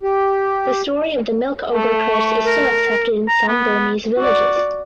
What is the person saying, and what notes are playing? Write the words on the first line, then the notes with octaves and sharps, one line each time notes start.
The story of the Milk Ogre curse is still accepted in some Burmese villages.
G4
A3 A4
C#6
A#4
A#5
B3
F#4 D5